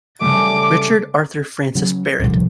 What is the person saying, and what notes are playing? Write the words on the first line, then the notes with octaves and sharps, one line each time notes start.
Richard Arthur Francis Barrett.
C#3 G3 A3 D6
C#3 F#3 C#4
D1 C2 A#2 F3